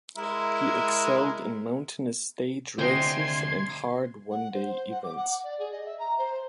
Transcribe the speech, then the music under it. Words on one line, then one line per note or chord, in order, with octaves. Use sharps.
He excelled in mountainous stage races and hard one-day events.
G#3 E4 A#4
D2 C3 C5 D#5 G5 G#5 C6 G#6
F#5
C5
F#5
D6
F#5
D5
G#4
D#5
E5
A#5
C5